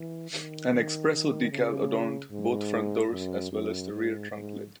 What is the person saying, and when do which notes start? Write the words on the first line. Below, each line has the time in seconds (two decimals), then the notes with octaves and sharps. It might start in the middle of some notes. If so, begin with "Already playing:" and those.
An Expresso decal adorned both front doors, as well as the rear trunk lid.
Already playing: E3
0.31 D#3
0.71 D#3
1.12 D#3
1.51 C#3
2.31 G#2
3.11 F#2
3.52 F#2
3.91 G#2
4.31 G#2